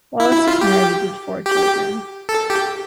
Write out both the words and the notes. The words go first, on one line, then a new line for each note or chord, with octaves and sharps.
Wallace is married with four children.
E4
E4
F4
G4
G4
A4
G4